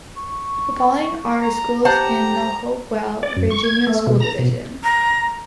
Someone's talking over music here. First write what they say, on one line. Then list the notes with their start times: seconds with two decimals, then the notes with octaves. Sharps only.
The following are schools in the Hopewell, Virginia school division.
0.15 C#6
1.41 A#5
1.85 G4 C5 F#5 A5 A#5
3.23 D5
3.37 F#2
3.50 C#6
3.63 G#6
3.87 A3
4.07 B2
4.20 A#5
4.39 B2
4.84 A#5